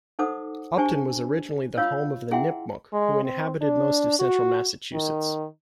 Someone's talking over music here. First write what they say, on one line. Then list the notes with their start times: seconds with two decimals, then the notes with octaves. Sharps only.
Upton was originally the home of the Nipmuc, who inhabited most of central Massachusetts.
0.19 D#4 A4 C5 F#5 D6 D#6
0.77 D4 G4 C5 G#5 A5 C#6
1.78 F4 C#5 D#5 F5 E6
2.31 E4 G#4 E5 F#5 G5 C6
2.93 G#3
3.24 C4
3.62 D4
4.20 F#4
4.93 D#3